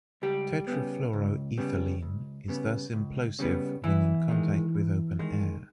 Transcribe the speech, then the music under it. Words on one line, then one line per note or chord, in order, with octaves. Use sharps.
Tetrafluoroethylene is thus implosive when in contact with open air.
C#2 G3 G4
C#3 G3 B3
C#2
C#3 G3 B3
C#2
C#3 G3 B3
C#2
C#3 G3 B3
E2 E3 E4
D#3 G#3
E2
D#3 G#3